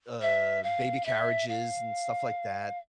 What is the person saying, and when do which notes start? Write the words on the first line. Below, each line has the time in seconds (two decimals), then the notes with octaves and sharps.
uh, baby carriages and stuff like that
0.22 E5
0.63 F5
1.06 E5
1.48 F5